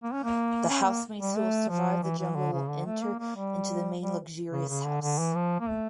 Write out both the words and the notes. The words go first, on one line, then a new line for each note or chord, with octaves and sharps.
The housemates who will survive the jungle will enter into the main luxurious house.
A#3
C#4
A#3
C#4
A#3
G3
A3
F3
E3
E3
D3
C#3
D3
A3
A#3
A#3
G3
G3
C#3
C#3
D3
D3
E3
F3
A#3
A3